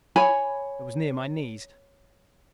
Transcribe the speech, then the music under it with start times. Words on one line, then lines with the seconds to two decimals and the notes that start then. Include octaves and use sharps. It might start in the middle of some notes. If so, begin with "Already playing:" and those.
It was near my knees.
0.16 C#5 G#5 B5